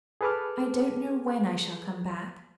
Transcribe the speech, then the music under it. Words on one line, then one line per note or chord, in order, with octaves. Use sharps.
"I don't know when I shall come back."
G#4 A4 B4 A5 D6 F6